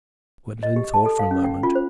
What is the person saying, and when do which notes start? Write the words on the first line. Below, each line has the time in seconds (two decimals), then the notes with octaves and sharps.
Gwendolen thought for a moment.
0.63 D#5
0.76 G4
0.94 A5
1.06 A4
1.19 F5
1.31 C#4
1.44 G5
1.63 F4
1.75 C5